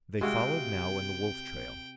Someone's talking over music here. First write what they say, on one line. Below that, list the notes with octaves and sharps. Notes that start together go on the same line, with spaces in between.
They followed now in the wolf trail.
C3 G#3 F#4 F5 G5